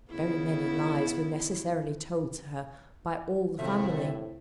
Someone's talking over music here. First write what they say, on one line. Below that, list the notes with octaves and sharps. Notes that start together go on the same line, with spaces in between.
Very many lies were necessarily told her by all the family.
C#3 B3 E4
F2 A2 C3 D#3 C4 E5